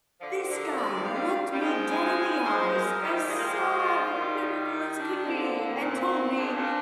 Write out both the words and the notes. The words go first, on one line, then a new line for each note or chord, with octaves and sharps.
this guy looked me dead in the eyes, as sad and pitiful as could be and told me,
D3 F3
D3 F3 A#4
D5
C3 D#3
F5
D#3 G3
G3
F3 G#3 G5
G#5
F3 G#3 C5
A#4
D#3 G3 G4
G#3 F4
A#3
F3 G#3
D#3 G3
D4
D3 F3 C4
A#3
A#2 C4
G#2 D4
A#2